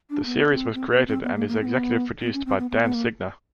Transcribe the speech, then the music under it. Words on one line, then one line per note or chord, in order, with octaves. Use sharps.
The series was created and is executive produced by Dan Signer.
D4
B3
C4
C4
B3
C4
B3
A#3
A#3
C4
B3
B3
C#4
C4
B3
B3
B3
A#3